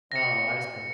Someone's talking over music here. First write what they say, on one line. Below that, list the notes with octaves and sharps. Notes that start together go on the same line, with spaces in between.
Oh, I see.
A#6 C#7